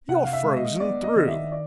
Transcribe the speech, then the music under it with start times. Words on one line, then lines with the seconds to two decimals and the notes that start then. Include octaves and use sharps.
You're frozen through!
0.09 C3 F#5
0.24 F5
0.33 E5
0.44 G#3
0.56 D#5
0.80 B3 D5
1.03 D#5
1.16 D#3
1.28 E5
1.52 D5